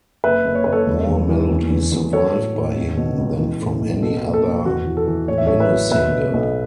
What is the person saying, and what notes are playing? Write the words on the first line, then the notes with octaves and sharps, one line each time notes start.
More melodies survive by him than from any other minnesinger.
F#1 B4 E5
F#1
C#5
F#1 B4
A4 C#5
E1
E2
E3
E2
E2
E2
F#3 A4 C#5
A2
A2
C#2
B2
C#2
E3
A2
B1
B2 A4
F#1
A4
F#1
E2 F#4
E3
A4
E3
A2 C#5
E5
A1 A4 C#5
B4 E5
F#3
B2 B4 E5
B2
B1